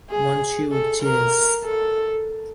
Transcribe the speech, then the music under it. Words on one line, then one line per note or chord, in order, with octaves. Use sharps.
Monsieur chasse!
G#4
A4
A#4
A4